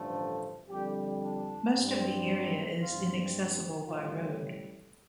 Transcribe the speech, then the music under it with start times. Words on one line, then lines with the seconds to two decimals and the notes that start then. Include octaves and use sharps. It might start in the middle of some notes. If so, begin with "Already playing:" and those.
Most of the area is inaccessible by road.
Already playing: A1 G2 D3 F3 A3
0.70 F2 D3 G3 G4
1.23 D4
1.76 G2 G3 C4
2.82 G2 G3 C4 F4
3.88 A1 A2 G3 F4